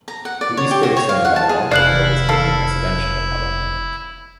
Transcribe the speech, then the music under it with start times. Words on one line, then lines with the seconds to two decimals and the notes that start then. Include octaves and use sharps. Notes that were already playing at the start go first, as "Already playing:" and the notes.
The eastward extent of Algonquin Road is mainly residential, however.
0.08 A#5
0.25 F#5
0.41 D5
0.57 C#5
0.71 G4
0.83 F#4
0.97 C#5
1.09 F5
1.25 F#5
1.36 A5
1.49 G#4
1.71 F1 E4 D5 F5 F#6 F#7
2.29 A4 F5